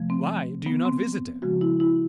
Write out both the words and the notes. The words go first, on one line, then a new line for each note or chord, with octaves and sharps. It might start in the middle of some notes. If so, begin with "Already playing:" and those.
Why do you not visit her?
Already playing: C3 F3 A3
C4
B3
C4
C#3 F3 G#3 F#4
E4
E4